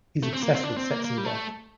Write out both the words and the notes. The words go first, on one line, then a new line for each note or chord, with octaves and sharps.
He's obsessed with sex and death.
A3
C4
A#3
C4
D4
C4
A#3
A#3
G3
A3